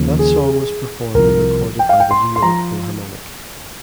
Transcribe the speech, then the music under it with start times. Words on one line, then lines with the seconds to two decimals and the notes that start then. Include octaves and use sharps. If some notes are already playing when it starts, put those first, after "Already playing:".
That song was performed and recorded by the New York Philharmonic.
Already playing: D#2 C#3 F3
0.19 G#4
1.14 C2 C3 F3 A#4
1.79 G5
1.89 F5
2.00 G5
2.11 C6
2.36 C6
2.42 F3 A#5